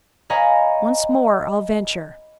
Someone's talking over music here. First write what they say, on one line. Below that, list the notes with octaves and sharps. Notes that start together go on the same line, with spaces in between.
Once more I'll venture.
C#5 D#5 F5 G#5 A#5 B5